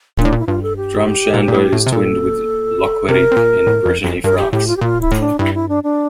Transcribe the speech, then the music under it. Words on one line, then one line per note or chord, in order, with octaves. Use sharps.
Drumshanbo is twinned with Locquirec in Brittany, France.
A#2 D4
A2
A#2
E4
G2 F4
A4
G4
A#2
A#2
A2
A2
C3
A#2 A4
C3 A#4
C3
A#2
A2
F2
F2
G2 A#4
G4
A2 G4
F4
G4
A#2 F4
E4
A2
D4
G2 E4
E4
D4
D4